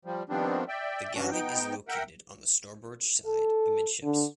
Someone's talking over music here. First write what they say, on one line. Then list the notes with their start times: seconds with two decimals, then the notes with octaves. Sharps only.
The galley is located on the starboard side amidships.
0.05 F3 G3
0.29 D#3 F3 G3 B3 C4 D4
0.68 D5 E5 G5
1.14 G2 E3 F#3 C#4 D4 F#4
1.31 B3 D#4 G5
1.88 A#4 E5 F#5 G5
3.26 A4
4.03 D3